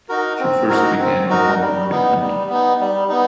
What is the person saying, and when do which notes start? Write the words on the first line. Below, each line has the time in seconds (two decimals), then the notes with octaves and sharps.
She first began a hormone treatment.
0.09 D#4 F#4 A#4
0.40 C4
0.69 D#4 F#4 A#4
0.99 C4
1.29 D#4 F#4 A#4
1.60 G3
1.90 B3 D#4
2.20 G3
2.49 B3 D#4
2.80 G3
3.09 B3 D#4